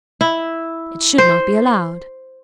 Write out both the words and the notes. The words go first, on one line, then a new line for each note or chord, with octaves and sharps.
It should not be allowed.
E4
C5